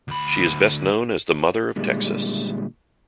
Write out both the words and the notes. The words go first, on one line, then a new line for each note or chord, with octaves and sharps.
She is best known as the Mother of Texas.
D2 B5
A#2 D3 G3 G#3